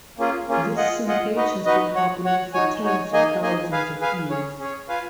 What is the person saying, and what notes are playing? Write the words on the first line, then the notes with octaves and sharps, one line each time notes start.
This seepage has been happening for tens of thousands of years.
A#3 C#4 F4 G#4
A#3 C#4 F4 G#4
F4 G#4 D#5 F#5
F4 G#4 D#5 F#5
D#4 F#4 B4 D#5
D#4 F#4 B4 D#5
F#4 C#5 F#5
F#4 C#5 F#5
D#4 F#4 C#5 G#5
D#4 F#4 C#5 G#5
A#3 D#4 G#4 D#5 G#5
A#3 D#4 G#4 D#5 G#5
G#4 B4 F5 G#5
G#4 B4 F5 G#5
C#4 G#4 C#5
C#4 G#4 C#5
F4 B4 F5 G#5